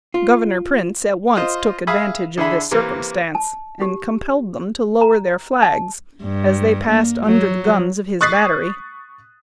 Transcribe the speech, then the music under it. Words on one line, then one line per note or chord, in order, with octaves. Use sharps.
Governor Printz at once took advantage of this circumstance, and compelled them to lower their flags as they passed under the guns of his battery.
F4
F4 C5 D#5
G#4 E5 F5 B5 D#6
D3 E4 G#4 E5 B5
C3 E3 A#3
A5
G4
A#5
A5
G2
A#3
F#3
C#6 D#6 F#6 A6 B6 C7